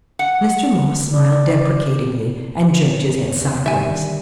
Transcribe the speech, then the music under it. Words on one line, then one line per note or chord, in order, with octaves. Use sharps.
Mr. Moss smiled deprecatingly and jerked his head sideways.
F#5
C#3 D5
E2
D3 D#3 G3 E5 G#5